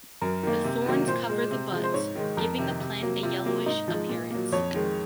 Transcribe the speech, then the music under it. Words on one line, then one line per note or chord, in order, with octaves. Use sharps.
The thorns cover the buds, giving the plant a yellowish appearance.
F#2 A#4
D#3 A#3
C3
D#3 F#3 A#3
A#2 C5
G#3
C3
F3 G#3
C5
G#2 C#5
D#3 G#3
F2 A#4
C3 D#3
C3
F#3 A#3
C3 F4
F#3 A#3
G#2 D#4
F3 G#3
A#2
F#3 A#3
F2 C#5
D#3 G#3